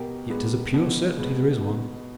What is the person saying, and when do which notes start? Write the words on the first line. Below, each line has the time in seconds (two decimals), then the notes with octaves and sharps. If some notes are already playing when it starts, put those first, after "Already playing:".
Yet 'tis a pure certainty there is one.
Already playing: B2 G4 A#4
0.30 G#3 B3
0.74 B2
1.17 G#3 B3
1.61 B2